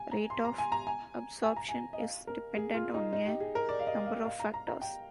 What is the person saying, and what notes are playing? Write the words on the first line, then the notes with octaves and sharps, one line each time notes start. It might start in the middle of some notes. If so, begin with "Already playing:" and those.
Rate of absorption is dependent on a number of factors.
Already playing: G#5
A#5
C6
A#5
G#5
A#5
G#5
G#5
A#5
G#5
D#5
F5
A#4
G#4
F4
D#4
D#4
G4
G#4
A#4
D5
F5
D#5
F5
F5
A#5
A#5
A#5
G5